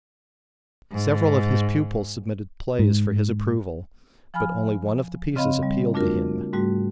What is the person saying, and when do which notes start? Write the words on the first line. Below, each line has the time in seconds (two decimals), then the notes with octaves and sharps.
Several of his pupils submitted plays for his approval, but only one of the pieces appealed to him.
0.91 G#2
2.79 G#2
4.34 F3 G#5 B5 F6
5.36 C#3 C4 D#5 F5 B5
5.63 G3
5.94 A3 D4 F4 F#4 A#4
6.53 G#2 G3 A3 F#4